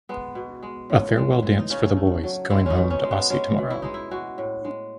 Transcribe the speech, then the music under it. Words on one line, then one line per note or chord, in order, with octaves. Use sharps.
A farewell dance for the boys going home to Aussie tomorrow.
G#3 B3
B2
G#3
A2
G#3
E3
D#4
C#3 C#4
A3
F#3
G#3 E4
C#4 D#4
B2
C#4
G#3
B3
G#3 C#4
B2
E4
G#3 D#4
E4
G#3 F#4
A2
G#3